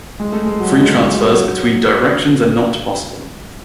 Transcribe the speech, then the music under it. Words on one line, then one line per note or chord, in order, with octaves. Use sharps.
Free transfers between directions are not possible.
G#3
A3
G#3
F#3
G#3
A3
G#3
F#3